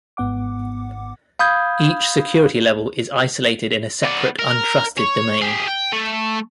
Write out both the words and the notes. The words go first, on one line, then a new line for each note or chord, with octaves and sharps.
Each security level is isolated in a separate untrusted domain.
G#1 G#2 B3 F#5 D6
F5 B5 D#6 G6 G#6
B3 D5
A#4
C#5
G4 G#4
G5
A3